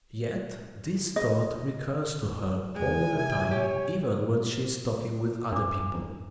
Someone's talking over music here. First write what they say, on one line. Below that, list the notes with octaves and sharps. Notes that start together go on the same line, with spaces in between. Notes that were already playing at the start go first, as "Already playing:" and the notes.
Yet this thought recurs to her all the time, even when she is talking with other people.
D#5
E2 G#3 G#5
C3
G4 C#5
F#2 D4 D6
G2